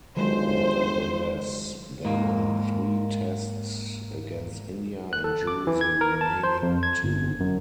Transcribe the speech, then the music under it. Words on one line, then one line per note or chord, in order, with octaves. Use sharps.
Nevertheless they won three Tests against India and drew the remaining two.
G1 D#3 F#3 G#3 C5
G#2 A#3
F#6
A4
D6
E3
G#6
A#4
A5
C5
F2
G#6
G1
F#2